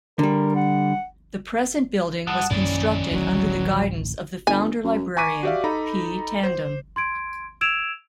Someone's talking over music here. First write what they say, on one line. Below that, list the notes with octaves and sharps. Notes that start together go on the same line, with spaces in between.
The present building was constructed under the guidance of the founder librarian P. Tandon.
D3 G3 A#4
F#5
G2 F#5 A5 D#6
A#1 F#2 D#3 E3 A#3 C#4 D5
D1 A1 F#3
G1 G#5
F#2
G#5 A#5 C#6 D6 B6 D#7
F#4 G4 D5 E5 F5
D#4 A4 A#5 B5
C5
C6 G#6 D7
E6 G#6 D7 E7 F7